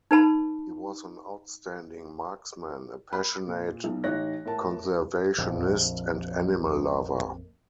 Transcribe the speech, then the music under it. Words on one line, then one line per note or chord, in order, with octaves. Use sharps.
He was an outstanding marksman, a passionate conservationist and animal lover.
D#4 B4 A5 B5
B5
A#2
B1
A1 D#4 C#5 F#6 A#6
A2 A#4 A5
A#1 F2